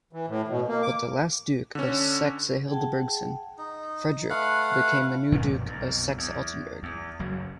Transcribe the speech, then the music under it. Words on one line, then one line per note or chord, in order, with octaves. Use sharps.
But the last Duke of Saxe-Hildburghausen, Frederick, became the new Duke of Saxe-Altenburg.
E3
A2
B2
A#3
D6
D3 C#4
G#4 F#5 G5 A5
D#4
A3 B4 F5 F#5
F2 A#2 D3 D#3
B1 F2
E2
E2
F#1 F#2 F#3